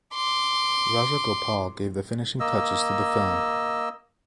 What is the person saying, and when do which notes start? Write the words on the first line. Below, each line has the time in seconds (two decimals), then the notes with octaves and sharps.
Rajagopal gave the finishing touches to the film.
0.15 C6 D6
2.40 A#3 D#5 E6